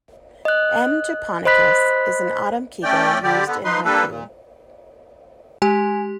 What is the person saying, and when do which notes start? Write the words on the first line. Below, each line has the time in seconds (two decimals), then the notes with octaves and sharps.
"M. japonicus" is an autumn kigo used in haiku.
0.45 D#5 F#6
1.45 C5 D#5 B5 F#6 B6
2.83 A3 C#4 D5 G5
3.23 D3 G3 G4 D5
3.46 D3 B3
3.65 F3 D#4 B4 C6
3.85 G3 A#3 D4 A4 B4
4.08 A#2
5.62 G#3 G4 G#5